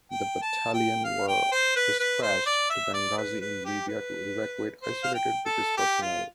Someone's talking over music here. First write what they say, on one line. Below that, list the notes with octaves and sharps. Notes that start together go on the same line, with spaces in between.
The battalion were dispatched to Benghazi in Libya to evacuate isolated British personnel.
G5
A5
G5
F5
G5
C5
B4
B4
C5
D5
E5
D5
B4
B4
G4
B4
C5
F5
G5
A4
G4
F4